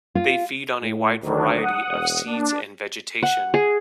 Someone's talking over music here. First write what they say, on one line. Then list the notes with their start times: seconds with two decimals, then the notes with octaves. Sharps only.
They feed on a wide variety of seeds and vegetation.
0.15 F4
0.83 A2
1.22 D2 D#3 F#3 D4
1.53 F#5 D#6
1.88 E1
2.26 A#3 D4
3.23 F#5
3.54 G#4